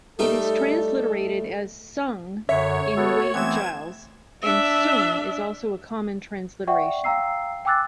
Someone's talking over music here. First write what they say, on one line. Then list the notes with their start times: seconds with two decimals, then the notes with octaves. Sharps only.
It is transliterated as Sung in Wade-Giles, and Soong is also a common transliteration.
0.19 G3 A3 D#4 A4
2.49 F#2 D3 C#5 E5
2.97 B3 F#4 A4
3.34 E3 A3 B3 C4 G#6 E7
4.42 D4 E5
6.67 D5 E5 F#5 G5 C#6
7.04 F5 G5 A#5 E6 C7
7.65 G5 G#5 D6 E6 F#6 A6